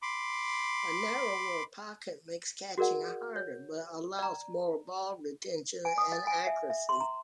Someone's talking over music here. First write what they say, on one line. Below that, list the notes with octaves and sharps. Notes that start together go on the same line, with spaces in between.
A narrower pocket makes catching harder, but allows more ball retention and accuracy.
B5 C6 D6
F#4 G#4 A#4 D5 F#5
C#5
D5 A#5
G#5
D#6
D#5
G#5
E5
E5
C6
A#5